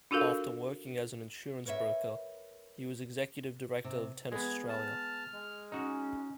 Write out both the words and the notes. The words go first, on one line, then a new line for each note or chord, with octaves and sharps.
After working as an insurance broker, he was executive director of Tennis Australia.
D4 F4 F#4 A4 A#4 F5
A#4 B4 C#5 D5 E5
C3
G#3 B3 G#6
A5 F6
G#3
C#4 D#4 F#4